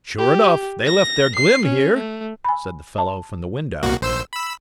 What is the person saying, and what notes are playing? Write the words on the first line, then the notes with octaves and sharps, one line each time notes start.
"Sure enough, they left their glim here," said the fellow from the window.
G4
A#6
C7
C#4
A3
G#5 B5
A5
C2 A#3 F#4
A#1 C5 E6
B5 E6